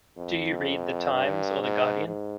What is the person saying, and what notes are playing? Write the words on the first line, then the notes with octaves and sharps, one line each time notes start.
Do you read The Times or The Guardian?
F2
G2
G#2
G#2